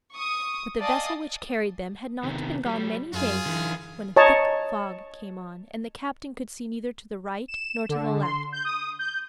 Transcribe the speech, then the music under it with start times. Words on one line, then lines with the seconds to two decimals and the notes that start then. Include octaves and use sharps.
But the vessel which carried them had not been gone many days when a thick fog came on, and the captain could see neither to the right nor to the left.
0.14 C#6 D#6
0.80 D5 D#5 F5 G#5 A5 D#6
2.23 C3 D#3 B3
2.66 F#3 G3
3.13 F#2 F4 G#4
3.46 D3 E3
4.16 C#5 D#5 A5 A#5
7.48 E7
7.89 D3
8.22 C6
8.52 G6
8.64 D#6
8.99 G6